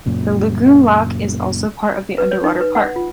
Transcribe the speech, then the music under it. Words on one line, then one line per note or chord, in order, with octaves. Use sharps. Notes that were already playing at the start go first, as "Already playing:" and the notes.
The lagoon Lac is also part of the underwater park.
F#2 A#2 C#3
B4
C#5
D#4
B4
F#5
F4